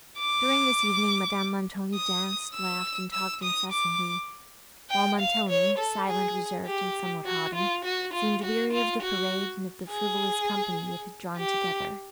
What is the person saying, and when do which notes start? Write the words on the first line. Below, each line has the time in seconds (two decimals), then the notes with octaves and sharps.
During this evening, Madame Montoni danced, laughed and talked incessantly; while Montoni, silent, reserved and somewhat haughty, seemed weary of the parade, and of the frivolous company it had drawn together.
0.19 D6
1.95 D#6
2.54 E6
3.13 E6
3.43 D#6
3.72 D6
4.90 G5
5.19 F5
5.49 C#5
5.78 A4
6.07 G#4
6.67 G4
7.26 F#4
7.55 F4
7.84 F#4
8.14 F4
8.43 F#4
8.73 F4
9.02 F#4
9.90 G#4
11.38 G4